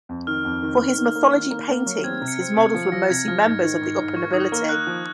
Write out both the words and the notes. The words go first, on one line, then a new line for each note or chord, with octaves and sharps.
For his mythology paintings his models were mostly members of the upper nobility.
F2
D#3 F6
F2
D#3
D#3
D#3
A#3
D#3
A#3
A#3
F#3
C4 G#6
C3
C#7
C4
C#7
C3
F3 C#7
F3 A#6
C3 G#6
F3 F6
G#2
D#3
G#2
G#2
D#3 C#6
D#3 D#6
A#3 F6
D#3 F#6
F3